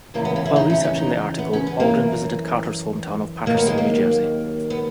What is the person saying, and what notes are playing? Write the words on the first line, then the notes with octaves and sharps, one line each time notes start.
While researching the article, Algren visited Carter's hometown of Paterson, New Jersey.
E2 C#3 E3 A#3
B3
C#4
E4
D#4
C#4
C#4
D#4
B3
C#4
B3
F#2 E3 A#3
D#2 D#3 F#3 A#3
B3
G#3
A#3
B3